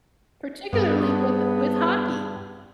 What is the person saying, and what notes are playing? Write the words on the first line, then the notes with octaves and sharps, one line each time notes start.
Particularly with with hockey.
G2 B3 G#4